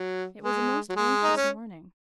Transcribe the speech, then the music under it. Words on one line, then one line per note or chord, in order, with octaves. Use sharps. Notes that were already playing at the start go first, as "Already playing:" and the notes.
It was a most anxious morning.
Already playing: F#3
G#3
F#3
G#3
D#4
C#4